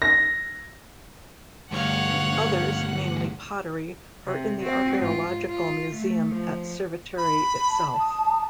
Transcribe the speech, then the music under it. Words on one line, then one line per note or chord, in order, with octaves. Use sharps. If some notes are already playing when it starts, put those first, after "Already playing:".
Others, mainly pottery, are in the Archaeological Museum at Cerveteri itself.
A#6
D2 G2 C#5 F5 F#5
C3
C4 F#4
G#2 F4
F4
A3
F3
B5
A5
D#6